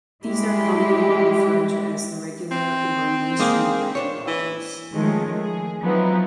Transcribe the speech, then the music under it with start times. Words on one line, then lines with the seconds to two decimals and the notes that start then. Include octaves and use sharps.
These are commonly referred to as the "regular" or "mainstream" Grand Lodges.
0.24 G3 G#3 E4 G4
2.51 C4
3.39 G#3 A#3 G#4
3.95 D4 C5 C#5
4.28 E3
4.92 D#3 F3 G#3 A3 C#4
5.41 G#4
5.81 F3 F#3 B3 C4 D#4 E4